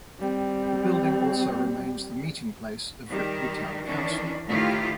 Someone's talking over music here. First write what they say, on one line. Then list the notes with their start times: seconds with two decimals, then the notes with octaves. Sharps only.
The building also remains the meeting place of Ripley Town Council.
0.19 G3 C4
3.09 D#3 G3 G4
3.86 D#3 E3 C#4 D4
4.47 A2 D#3 E4 F4 G4